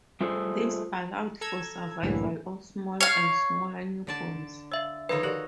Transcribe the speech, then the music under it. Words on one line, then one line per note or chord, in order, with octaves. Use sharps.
This allowed for survival of smaller and smaller newborns.
G3 A3 F4 G#4 A4 C5
A4 A#5 E6 G#6
C2 F#2 A2 D3 E3 A#3
C#5 F5
D3 D5 A5
C#5 E5 F5 E6
D3 D#3 F3 D#4 A4 B4 C#5
F#4 G4 A#4 D5